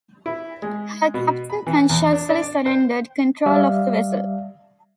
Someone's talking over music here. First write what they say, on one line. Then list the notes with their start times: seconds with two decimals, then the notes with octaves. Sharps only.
Her captain consciously surrendered control of the vessel.
0.26 E4
0.62 G#3
1.14 B2
1.50 B5
1.67 E3
1.89 E2
2.13 D4
2.29 D4
2.42 D5
2.66 C5
3.46 G3 D5 E5 F5